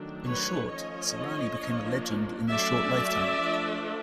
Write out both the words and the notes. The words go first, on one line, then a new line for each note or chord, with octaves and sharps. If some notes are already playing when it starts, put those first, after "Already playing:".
In short, Sirani became a legend in her short lifetime.
Already playing: D#3 F#3 A3 D4
B4 C#5
F3 A3 C#4 C#5 D#5
F3 A#3 D4
F#3 A3 C#4 D5 E5
F3 A3 D4